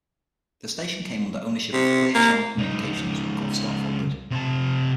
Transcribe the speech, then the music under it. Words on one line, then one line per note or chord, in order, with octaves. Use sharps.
The station came under ownership of Clear Channel Communications when Gulfstar folded.
C3
A#3
C#2 D#4
C3 A5